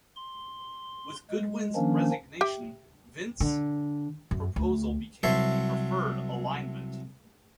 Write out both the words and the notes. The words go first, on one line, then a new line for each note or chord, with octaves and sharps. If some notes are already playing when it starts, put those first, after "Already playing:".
With Goodwin's resignation, Vint's proposal became the preferred alignment.
C6
G#3
D#3 F3 A#3 C#4 D4
G4 E5 G5
D3
F#2
D2
C2 F#3 C#5 E5 A5 C6